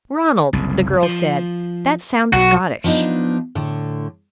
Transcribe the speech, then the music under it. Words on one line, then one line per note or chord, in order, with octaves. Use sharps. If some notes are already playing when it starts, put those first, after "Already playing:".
"Ronald," the girl said, "that sounds Scottish."
F#1 C2
F3
B1 F#3 F#4
F3 B3 D4 D#4
A2 D3